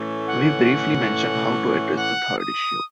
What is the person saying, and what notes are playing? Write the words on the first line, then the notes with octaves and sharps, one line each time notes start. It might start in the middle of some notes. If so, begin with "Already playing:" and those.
We briefly mention how to address the third issue.
Already playing: A2 E3 A3 C#4
F#5
F#5
D#6